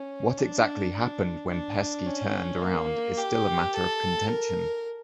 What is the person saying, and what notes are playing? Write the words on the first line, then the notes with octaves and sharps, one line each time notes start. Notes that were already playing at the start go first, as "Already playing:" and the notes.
What exactly happened when Pesky turned around is still a matter of contention.
Already playing: C#4
D4
D4
D4
C#4
A#3
G4
A4
A#4